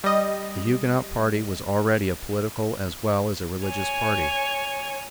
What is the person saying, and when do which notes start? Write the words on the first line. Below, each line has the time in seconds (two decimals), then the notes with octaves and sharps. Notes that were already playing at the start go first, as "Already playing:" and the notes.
The Huguenot party was already a political as well as a religious party.
0.04 G3 D#5
3.66 C#5 G#5